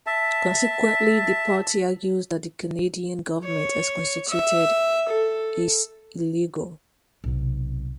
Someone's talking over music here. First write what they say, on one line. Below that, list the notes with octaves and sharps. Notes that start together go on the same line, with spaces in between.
Consequently, the party argues that the Canadian government, as constituted, is illegal.
E5 A5
C#5
E5
A4
B1 C3